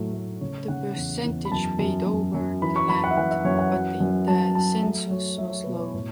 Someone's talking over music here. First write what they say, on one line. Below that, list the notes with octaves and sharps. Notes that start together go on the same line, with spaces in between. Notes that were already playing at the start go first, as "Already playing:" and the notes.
The percentage paid over the land put in the census was low.
Already playing: A2 F#3 A3
A3
C#3 C#5
C#3 F#5
E2
E2
B5
F#2 A5
F#2 A5
F#2
F#2
E3 B5
C#6
F#2 B5
F#5
E5
E3 F#5
E5
F#2 C#5
F#5
F#3
F#2
F#3 A5
F#3 A5
A3 E5
F#3 C#5
F#3 E5
C#5
B2 B4
C#5
A2